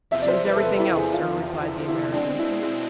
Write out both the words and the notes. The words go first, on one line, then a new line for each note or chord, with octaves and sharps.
"So's everything else, sir," replied the American.
E2 C3 F3 E5
D5
C5
B4
A4
B4
E4
G#4
F4
E4
E4
B2 G#3 C4 D4
E4
E4